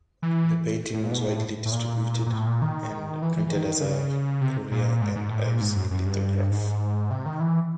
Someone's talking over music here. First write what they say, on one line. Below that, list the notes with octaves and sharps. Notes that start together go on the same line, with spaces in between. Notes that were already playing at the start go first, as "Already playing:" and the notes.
The painting was widely distributed and printed as a Currier and Ives lithograph.
E3
A2
A#2
B2
A#2
A2
A2
A#2
A#2
A2
A#2
D#3
E3
E3
E3
D#3
C#3
C3
A#2
G#2
G#2
A2
A#2
G#2
F#2
F#2
G2
G#2
C3
D#3
E3